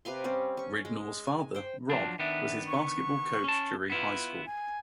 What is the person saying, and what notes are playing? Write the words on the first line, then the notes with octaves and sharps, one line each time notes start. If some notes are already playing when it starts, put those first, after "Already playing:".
Ridnour's father, Rob, was his basketball coach during high school.
C3 B4 F5 C6
G3 C4 C#4
C#4 C#6
G#3
G#5
C5 G5
F3 F#3 D4
D#3 B3 D4 E5
C#6
C#4 A5
B3 E4 F4 B4
G#5